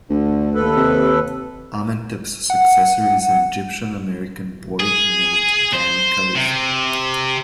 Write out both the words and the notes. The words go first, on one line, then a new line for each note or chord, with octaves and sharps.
Amentep's successor is an Egyptian American boy named Danny Khalifa.
D2 D3
D#2 A4 B4
C3
F#5
G#4
C5
C3